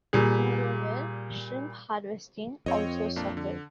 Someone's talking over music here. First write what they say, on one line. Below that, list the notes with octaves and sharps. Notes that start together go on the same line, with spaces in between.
Moreover, shrimp harvesting also suffered.
A#2 G3 G#4
F2 C4 C#5 D#5
A#1 A#3 D4
D3